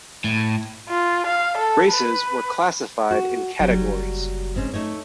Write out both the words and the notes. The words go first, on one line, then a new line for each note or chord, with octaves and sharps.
Races were classified in categories.
A2
F4
F5
A4
B4
F#4
F#1 F#3 G3
G#2 C4 C#4
A3 D#4 C#5